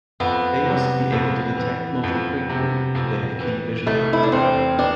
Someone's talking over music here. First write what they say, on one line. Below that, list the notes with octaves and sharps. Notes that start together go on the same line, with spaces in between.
They must be able to detect motion quickly, so they have keen vision.
F2 B3
C3
F2
E3
F2
C3
F2
E3
F1 A3
E4
D4
E2 C4
B3 D4